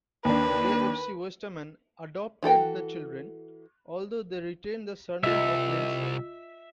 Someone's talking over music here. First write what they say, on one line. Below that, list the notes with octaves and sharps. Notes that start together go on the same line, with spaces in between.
J F C Westerman "adopted" the children although they retained the surname of Lindsaye.
D#2 D4 B4
E3 F#4 A4 G5
C2 F4 D#5 E5